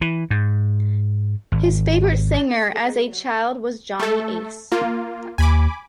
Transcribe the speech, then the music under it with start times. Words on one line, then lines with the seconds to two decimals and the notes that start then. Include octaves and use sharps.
His favorite singer as a child was Johnny Ace.
0.01 E3
0.30 G#2
1.52 G#1
4.00 A3 A4
4.72 A#3 F4
5.38 D#2 G#5 B5 D6